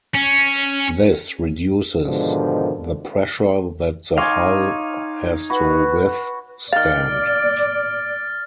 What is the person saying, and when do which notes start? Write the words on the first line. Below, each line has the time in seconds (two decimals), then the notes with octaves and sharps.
This reduces the pressure that the hull has to withstand.
0.15 C#4
2.06 G#2 B2 D3 D#3 F3
4.18 D#4 C#5 F5 G#5 C6 D6 F6
5.50 F#4 B4 B5
6.73 D#3 D5 F5 F6 A6